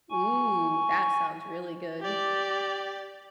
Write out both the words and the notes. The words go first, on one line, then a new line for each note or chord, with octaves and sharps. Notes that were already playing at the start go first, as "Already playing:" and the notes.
Ooh. That sounds really good.
G#5 C#6
G4 D5